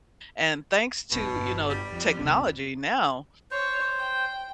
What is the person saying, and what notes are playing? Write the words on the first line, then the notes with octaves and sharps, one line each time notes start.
And thanks to, you know, technology now,
E1 B1 B2
D1 G1
G3
F2
F1 C#2 C3
C5 C#5
G5